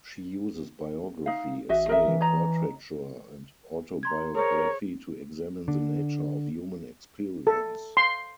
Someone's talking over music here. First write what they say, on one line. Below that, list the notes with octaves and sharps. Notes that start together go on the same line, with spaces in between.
She uses biography, essay, portraiture and autobiography to examine the nature of human experience.
D#4 F5
A1 F#4 D#5 E5
A#4 D#5 E5
E3
C#5 D#5 A#5
A#5 C6 G#6
G#4 A#4 C5 C#5
D3
A4
C6